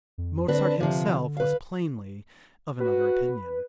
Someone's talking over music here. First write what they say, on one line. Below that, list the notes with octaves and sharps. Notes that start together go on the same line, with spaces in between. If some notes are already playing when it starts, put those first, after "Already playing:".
Mozart himself was plainly of another opinion.
F2
D3 C4 D4 B4
C3 F3
B4 F5
F#4 B4